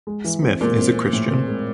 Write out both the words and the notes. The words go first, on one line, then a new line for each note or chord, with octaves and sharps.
Smith is a Christian.
G#3
E3
C4
A#2 G#3
C4
C4
A2
C4
G#3